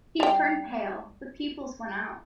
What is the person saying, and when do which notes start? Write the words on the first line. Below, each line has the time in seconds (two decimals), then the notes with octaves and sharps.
He turned pale, the pupils went out.
0.20 G3 G5